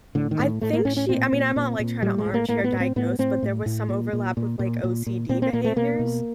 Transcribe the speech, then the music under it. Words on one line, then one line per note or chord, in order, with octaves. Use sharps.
I think she I mean, I'm not, like, trying to armchair diagnose, but there was some overlap with, like, OCD behaviors.
A2 D3
D#3
A2
A2 A3
A#3
A2 C#4
C#4
A#2 C4
A#2
A#2
A#2
A2 G3
G#3
A2
A#3
A2 A#3
B3
A2
C4
A2 B3
A2 C4
A2
A2
A#2
A#2
A#2
A#2
A#2
A#2
A#2 C4
C4
A#2 A#3
A3
B2 A#3
B2